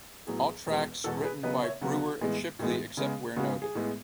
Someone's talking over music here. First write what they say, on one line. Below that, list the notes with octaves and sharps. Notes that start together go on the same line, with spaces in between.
All tracks written by Brewer and Shipley except where noted.
A2 F#3 B3 G#4
E2 B2 G#3 B3
E2 B2 G#3 B3 F#4 A4
G#4 B4
C#3 F#3 B3 B4 D#5
C#5 E5
C#3 F#3 B3 F#4
A2 E3 G#3 B3
A2 E3 G#3 B3
C#3 G#3 B3
C#3 G#3 B3 F#4
G#4
A2 G#3 B3